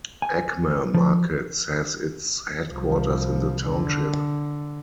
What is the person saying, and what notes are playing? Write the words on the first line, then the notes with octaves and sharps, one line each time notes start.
Acme Markets has its headquarters in the township.
G#5
F3
C2 F3
D3